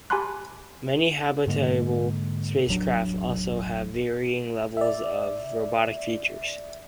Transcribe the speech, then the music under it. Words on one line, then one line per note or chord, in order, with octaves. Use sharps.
Many habitable spacecraft also have varying levels of robotic features.
G4 G#5 A5 B5 C6 F#6
G#2 D3 G#3 A#3
E1 A1 F#3 D4
D5 E5